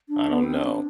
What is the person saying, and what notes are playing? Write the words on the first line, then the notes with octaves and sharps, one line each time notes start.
I don't know,
D4
B3
C4
D4